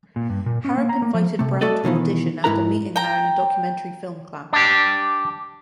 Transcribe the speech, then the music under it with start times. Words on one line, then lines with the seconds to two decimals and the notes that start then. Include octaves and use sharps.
Harrop invited Brown to audition after meeting her in a documentary film class.
0.16 A#2
0.30 G2
0.46 A#2
0.65 C#4
0.78 A#3
0.89 A#5
1.02 A#3
1.14 F3
1.39 C3 A3
1.61 A3 F#4 A4 D5 D#5
1.84 B2 D#3 E3 B3
2.44 G#2 D3 E4 A#4 B4 A#5
2.96 G5 A#5
4.53 D4 G4